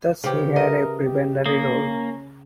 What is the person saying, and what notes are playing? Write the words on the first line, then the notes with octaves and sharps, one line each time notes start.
Thus he had a prebendary role.
C#3 G4 G#4 B4 C5
A#4 B4 D#5 E5
G4
A#3 C#4 D#6